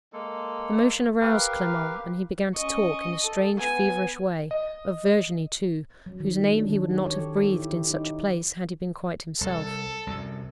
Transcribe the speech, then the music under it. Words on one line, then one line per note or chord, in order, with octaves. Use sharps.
The motion aroused Clement, and he began to talk in a strange, feverish way, of Virginie, too,--whose name he would not have breathed in such a place had he been quite himself.
G#3 A#3 A4
G4 A#4 B4 F5
C#4 D#5 C#6
A4
B3 G#5
D#5
F#3
D#3
F#3
D4
D#3
G4
C#5
A4
G4
E4
G4
D#4
C2 A4
C2 F#2 C3